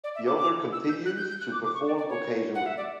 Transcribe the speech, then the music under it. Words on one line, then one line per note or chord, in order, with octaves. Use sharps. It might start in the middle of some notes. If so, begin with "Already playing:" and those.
Yoder continues to perform occasionally.
D5
E5
D6
D6
E6
G6
F#6
G6
G6
F#6
D6
D6
C#6
D5
D5
C#5
F#5
E5
D5